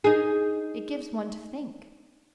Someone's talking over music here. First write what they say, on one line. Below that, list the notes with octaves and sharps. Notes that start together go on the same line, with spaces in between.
It gives one to think.
D#4 G#4